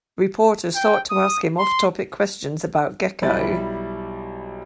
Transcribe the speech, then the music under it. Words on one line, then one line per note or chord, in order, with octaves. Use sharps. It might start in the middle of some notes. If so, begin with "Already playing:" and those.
Reporters sought to ask him off-topic questions about Gekko.
G5
D#6
C6
B1 G3 E4 B5 A6